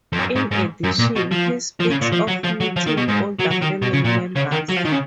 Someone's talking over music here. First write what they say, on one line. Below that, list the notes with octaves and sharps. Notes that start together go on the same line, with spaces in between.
In addition, he speaks of meeting older family members.
F2
F#2
G#2
G#2
F#2
A#2
B2
F3
F3
C#3
A#2
F3
F#3
F3
F#3
F3
D#3
B2
G#2
F#3
F#3
D#3
B2
C#3
A#2
C#3
D#3
F#3
F3
D#3
C#3